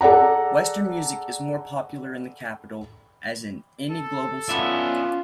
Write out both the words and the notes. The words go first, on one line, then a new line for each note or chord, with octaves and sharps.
Western music is more popular in the capital, as in any global city.
G#4 A4 D5 F#5 A#5
A4
B3 C#4 F4 D5 E5